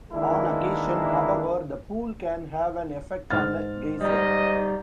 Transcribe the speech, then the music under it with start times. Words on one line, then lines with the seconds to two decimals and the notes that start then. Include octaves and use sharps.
On occasion, however, the pool can have an effect on a geyser.
0.11 D#3 E3 G#3 A#3 D4 E4
3.30 G#2 F6 A6
4.01 G3 D#4 D#5